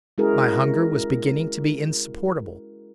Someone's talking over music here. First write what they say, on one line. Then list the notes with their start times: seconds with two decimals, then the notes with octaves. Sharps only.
My hunger was beginning to be insupportable.
0.18 G#3 C#4 E4 F#4 G#4 A#4